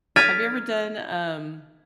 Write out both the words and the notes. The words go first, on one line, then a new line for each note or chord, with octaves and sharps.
Have you ever done, um
F6 G#6 A6 B6 D7 D#7